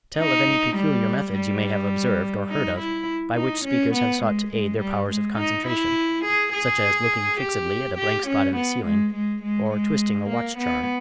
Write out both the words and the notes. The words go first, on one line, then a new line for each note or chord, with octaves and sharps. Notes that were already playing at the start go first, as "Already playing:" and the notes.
Tell of any peculiar methods you may have observed or heard of by which speakers have sought to aid their powers of concentration, such as looking fixedly at a blank spot in the ceiling, or twisting a watch charm.
D#4
G3
G3
D#4
E4
D#4
C#4
B3
G#3
G#3
G3
G#3
D#4
E4
G#4
G#4
G4
G4
C#4
B3
G#3
G#3
G#3
G#3
A#3
B3